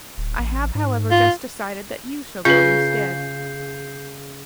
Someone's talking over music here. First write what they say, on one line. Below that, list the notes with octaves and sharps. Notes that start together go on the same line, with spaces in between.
I have, however, just decided that you shall go instead.
D1
A1
G#2
F4
C#3 F4 B4 G6 C7